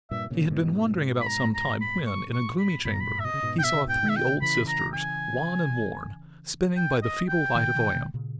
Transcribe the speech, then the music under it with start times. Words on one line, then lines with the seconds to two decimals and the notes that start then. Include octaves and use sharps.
He had been wandering about some time when, in a gloomy chamber, he saw three old sisters, wan and worn, spinning by the feeble light of a lamp.
0.11 G2 A#2 E5
0.30 A#2 C#3
0.50 G#2 B2
1.21 B5
1.28 A#5
1.55 A#5
1.81 B5
2.06 C#6
2.33 C#6
2.59 B5
2.85 G2 A#2 B5
2.93 A#5
3.00 B5
3.20 E5
3.25 B2 D#5
3.34 C#3
3.42 G#2 B2
3.59 G5
3.64 B2 E5
3.74 C#3
3.84 G#2 B2
3.89 G5
4.03 B2 D#3
4.09 E5
4.16 G5
4.42 C#3 E3 B5
4.68 A#5
4.94 G#5
6.77 G5
7.03 D#5
7.29 G5
7.55 B2 D#3
7.74 B2 D#3
7.94 B2 D#3
8.14 A#2 C#3